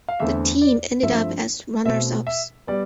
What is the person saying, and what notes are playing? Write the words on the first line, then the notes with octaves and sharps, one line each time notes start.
The team ended up as runners-ups.
F5
E2 D3 A3 C4 E5
D5
G2 F3 A3 C4 E5
B2 A3 C4 E5
E5
G3 B3 D5